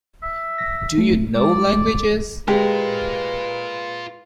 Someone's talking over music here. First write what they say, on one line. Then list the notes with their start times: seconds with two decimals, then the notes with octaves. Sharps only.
Do you know languages?
0.23 E5
0.57 A#6 B6
0.98 A3
1.36 G#3 D5
2.48 G#3 F4 G4 A#4 B4